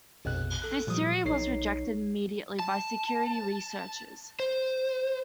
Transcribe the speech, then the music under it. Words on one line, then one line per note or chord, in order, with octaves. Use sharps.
This theory was rejected immediately by security researchers.
A#1 F2 B2 F#6
A4 F#6
A#2 F3 G3 D#6
B1 D#4 C#5 C7
A5
C5